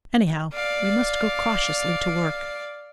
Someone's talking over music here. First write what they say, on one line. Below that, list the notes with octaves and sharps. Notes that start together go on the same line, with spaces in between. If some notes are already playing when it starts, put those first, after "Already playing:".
Anyhow, we must go cautiously to work.
D5 F5